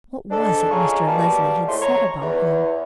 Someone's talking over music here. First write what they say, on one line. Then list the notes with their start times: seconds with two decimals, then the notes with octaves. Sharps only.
What was it Mr. Leslie had said about him?
0.31 G#2 D4 A4
0.71 G#3 C#4 F4 G#4 A#5 C#6
1.07 B2 G3 A#3 F5 A5
1.68 A2 G#3 A3 C5 C6
1.82 C#5 A#5
2.22 E2